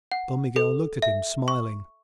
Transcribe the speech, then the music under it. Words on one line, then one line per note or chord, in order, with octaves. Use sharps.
Don Miguel looked at him, smiling.
F#5
A4
E5
C#6